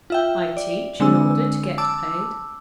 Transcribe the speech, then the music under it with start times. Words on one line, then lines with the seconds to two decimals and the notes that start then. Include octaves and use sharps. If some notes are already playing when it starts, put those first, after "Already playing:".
'I teach in order to get paid.'
0.10 F4 E5 G5
0.57 D5
1.00 D3 G#3 C4 D4 E6
1.78 A5 D6 E6